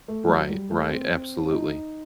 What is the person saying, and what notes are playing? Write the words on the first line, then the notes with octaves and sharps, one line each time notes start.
Right right, absolutely.
A3
F#3
G3
A3
C4
D#4